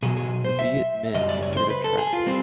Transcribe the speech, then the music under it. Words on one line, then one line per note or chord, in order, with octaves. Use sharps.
The Viet Minh entered a trap.
B2 F#3 G#4
G#4
C5
E5
F#2 C#3 G3 D#5
D5
C#5
C5
B4
A4
G#4
F4
G3 C4